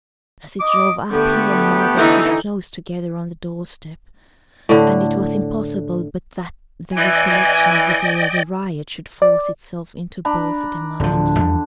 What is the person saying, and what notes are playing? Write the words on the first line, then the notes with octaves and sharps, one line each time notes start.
As it drove up, he and Margaret stood close together on the door-step, and it was impossible but that the recollection of the day of the riot should force itself into both their minds.
D#5 D6
D3 A3 B3 G4
D3 E3 D#4
A2 D3
E3 D5 D#5 G5 G#5
D5
D4 A#5 B5
D1 D3 F3
E2 F3 G3